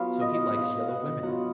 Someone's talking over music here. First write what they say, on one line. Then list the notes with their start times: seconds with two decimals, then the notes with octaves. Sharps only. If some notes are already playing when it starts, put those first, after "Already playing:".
'So he likes yellow women!
Already playing: F#3 B3 F4 F5
0.21 D#5
0.49 F#5
0.56 F5
0.89 F#5
1.23 F#3 B3 F4 F#5